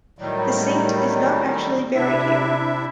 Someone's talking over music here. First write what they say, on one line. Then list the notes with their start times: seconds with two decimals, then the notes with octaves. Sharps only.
The saint is not actually buried here.
0.19 A2 D#3 F#3 G3
1.95 C3 D4 E4 E5